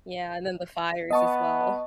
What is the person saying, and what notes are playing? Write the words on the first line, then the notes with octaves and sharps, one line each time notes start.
Yeah, and then the fires as well.
B3 D#5 A5 C#6